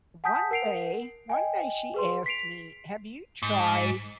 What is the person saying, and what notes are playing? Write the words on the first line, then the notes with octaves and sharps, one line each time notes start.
One day one day, she asked me, "Have you tried
F#5 G#5 A5 D#6 G6 B6
A#4 F#5 C7 D7 F7
D#5 G5 G#5
G#4 B4 C6
B6 C7 D7 F7
G#2